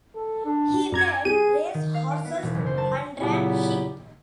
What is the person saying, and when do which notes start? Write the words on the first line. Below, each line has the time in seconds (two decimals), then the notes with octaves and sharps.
He bred racehorses and ran sheep.
0.15 A4
0.45 D4
0.92 F#2 D5 A#5 G#6
1.25 C2 G4 G#4 D#7
1.74 D#3
1.94 F5
2.11 D7
2.25 B3
2.43 E1
2.55 F#1
2.66 C5
2.78 A5
3.20 A#2 C#3 F#3 B3 E4 G4